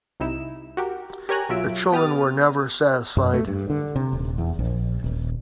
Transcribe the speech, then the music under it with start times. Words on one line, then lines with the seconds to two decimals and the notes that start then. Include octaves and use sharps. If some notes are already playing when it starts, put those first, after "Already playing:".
The children were never satisfied.
0.20 C2 C3 D#4 E4 E7
0.77 F#4 G4 A#4
1.29 G4 A#4 C#5 G#5 A#5 F#6
1.49 B1 F#3 F4 E5 D7
1.92 B3 G4 D#6 F6 A6
3.17 F#2
3.33 A3
3.47 G2
3.70 D3
3.96 C3
4.13 D#1
4.38 E2
4.59 A#1
5.04 D#1